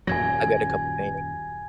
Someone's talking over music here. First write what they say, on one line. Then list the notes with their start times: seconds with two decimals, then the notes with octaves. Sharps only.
I've got a couple of paintings,
0.07 D#1 F#2 F#3 G#5 G#6 A#6